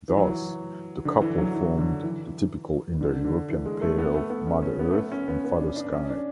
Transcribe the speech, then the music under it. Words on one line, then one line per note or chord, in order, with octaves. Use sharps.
Thus the couple formed the typical Indo-European pair of mother-earth and father-sky.
E3
F#3
E3
D3
E3
F#3
E3
D3
E3
D3
D3
E3
G#3
A3
B3
A3
B3
C#4
C#4
B3
A3
B3
C#4
B3
B3
D4
D4
C#4
D4